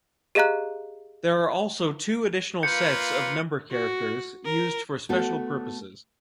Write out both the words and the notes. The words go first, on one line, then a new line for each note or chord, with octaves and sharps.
There are also two additional sets of number characters used for special purposes.
G4 G#4 D#5 F5 A#5 F#6
A#3 F4 B4 G6 C#7
F#4
A#4
A3 B3 F#4 A4